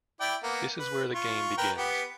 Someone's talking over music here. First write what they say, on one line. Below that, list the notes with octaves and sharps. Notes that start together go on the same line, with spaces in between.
This is where the game begins.
E4 D5 G5
A#3 B3
B4
F4 C#6
A#4 B4 G5
B3 G4